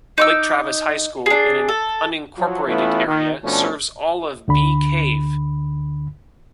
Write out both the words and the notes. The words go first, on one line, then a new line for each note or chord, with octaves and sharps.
Lake Travis High School, in an unincorporated area, serves all of Bee Cave.
D#4 D6 E6
D4 G#4
A4
F3 F#3
E3 A3 B3 C#4 E4 F4
D#3
B2 F3 A3 C#4 D4
D2 D3 B5